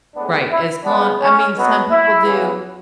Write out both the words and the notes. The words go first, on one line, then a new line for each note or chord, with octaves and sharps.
Right. As long I mean, some people do,
A2 G#3 B3 D4
E4
C#3 G#3 B3 D4
C#4
B2 F#3 B3
E4
C#3 E3 B3